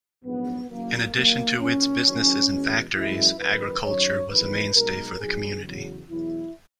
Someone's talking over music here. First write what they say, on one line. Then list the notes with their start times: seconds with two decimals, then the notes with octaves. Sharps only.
In addition to its businesses and factories, agriculture was a mainstay for the community.
0.25 A#1 G#2 F#3 B3
0.69 F#1 F#2 D#3 F#3 A#3
1.15 D#2 D#3 F#3 A#3
1.59 B1 A#2 F#3 C#4
2.05 F#1 F#2 D#3
2.50 E2 B2 G#3
2.95 F#2 E3 G#3 E4
3.39 F#1 F#2 D#3 B4
3.84 F#2 D#3 F#3 C#5
4.29 E2 D#3 F#3 B4
4.75 B1 B2 G#3 A#4
5.19 B1 B2 F#3 G#4
5.65 E2 C#3 F#3
6.09 E2 B2 F#3 E4